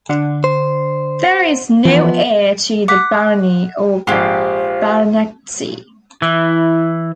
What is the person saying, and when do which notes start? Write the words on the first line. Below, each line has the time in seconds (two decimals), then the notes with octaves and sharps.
There is no heir to the barony or baronetcy.
0.09 D3 D4 F#5
0.44 C5
1.24 F#5
1.85 E3 F3 B3
2.88 F#5 D6 B6
4.07 A#1 G#2 F4 G4 C5
6.22 E3 E4